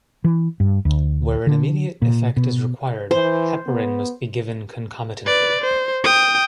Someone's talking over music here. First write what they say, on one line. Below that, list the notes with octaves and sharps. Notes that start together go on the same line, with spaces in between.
Where an immediate effect is required, heparin must be given concomitantly.
E3
G2
D2
D3
A#2
B2
E3 C5
B3
B4 D5
C5
G5 D#6